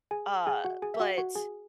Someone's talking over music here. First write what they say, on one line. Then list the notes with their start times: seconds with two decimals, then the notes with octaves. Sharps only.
Uh, but
0.11 G#4 G#5
0.47 G#4 G#5
0.65 F#4 F#5
0.82 G#4 G#5
0.94 E5
1.00 F#4 F#5
1.18 F#4 F#5
1.35 G#4 G#5